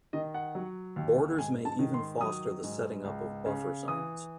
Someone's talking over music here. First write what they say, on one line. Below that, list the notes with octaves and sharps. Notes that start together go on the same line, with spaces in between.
Borders may even foster the setting up of buffer zones.
D#3 D#5
F#5
F#3
D#2
G#2 G#5
A5
D#3
C6
F#3 D#6
G#2
C#2
C#3
E3 D#6